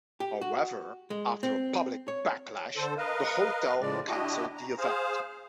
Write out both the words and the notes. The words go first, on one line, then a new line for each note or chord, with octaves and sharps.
However, after a public backlash, the hotel cancelled the event.
G4
F#4
G#3
C4
C#5
D3 A4 C5
A#4 B4 D#5 F5
A2 C#3 F3 G#3 D5
D4 E4 F#4 G4 D#5
A#5
G#4 C5 F5